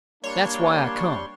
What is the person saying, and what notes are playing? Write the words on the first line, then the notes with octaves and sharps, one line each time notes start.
That's why I come.
G3 A#3 D4 C#5 C6